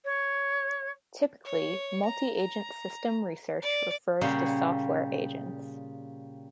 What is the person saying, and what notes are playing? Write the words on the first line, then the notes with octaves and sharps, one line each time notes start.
Typically multi-agent systems research refers to software agents.
C#5
C#5
A#5
A#5
D5
A#2 C#3 G3 A#3 F#5